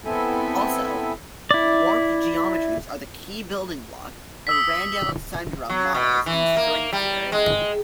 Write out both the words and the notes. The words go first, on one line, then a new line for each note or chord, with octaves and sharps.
Also, warped geometries are the key building block of Randall-Sundrum models in string theory.
B3 C4 E4 A4 E5 G#5
E4 D5
D#6 E6 B6
F#3
B2
E3
A#3
G3
G#3